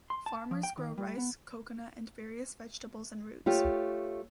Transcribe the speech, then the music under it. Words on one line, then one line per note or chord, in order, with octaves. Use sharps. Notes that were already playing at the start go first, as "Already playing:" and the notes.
Farmers grow rice, coconut and various vegetables and roots.
C6
A5
F3
G5
D#3
G3
B3
A3 F4 G4 C#5